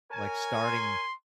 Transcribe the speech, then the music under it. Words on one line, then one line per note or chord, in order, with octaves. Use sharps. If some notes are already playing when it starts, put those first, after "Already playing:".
like starting
A#4 C#5 G#5
C6